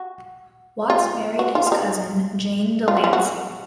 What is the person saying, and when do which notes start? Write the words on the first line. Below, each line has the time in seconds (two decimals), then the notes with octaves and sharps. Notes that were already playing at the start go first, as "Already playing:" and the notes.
Watts married his cousin Jane DeLancey.
Already playing: F#4
0.90 F4
1.39 F#4
1.55 F4
1.67 F4
1.72 D#4
2.88 F4
2.97 F#4
3.04 F4
3.13 F#4